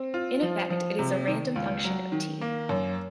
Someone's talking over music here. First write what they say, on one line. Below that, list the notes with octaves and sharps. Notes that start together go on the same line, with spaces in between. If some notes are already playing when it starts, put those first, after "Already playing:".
In effect it is a random function of "t".
Already playing: C4
F4
F3
F3
C3
D#3
C#2
F#3
D#3
A#3
F#2